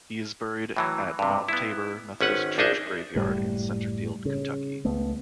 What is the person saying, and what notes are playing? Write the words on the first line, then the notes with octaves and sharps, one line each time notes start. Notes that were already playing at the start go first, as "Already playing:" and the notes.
He is buried at Mount Tabor Methodist Church Graveyard in Centerfield, Kentucky.
A2 E3 F#3
G2 C3
B3 E4
G#1 C#4 B4 F#5
A#1 D4 D#4 G#4 D#5 E5
F#1 A2 G3
C#3
C#2 A3 B3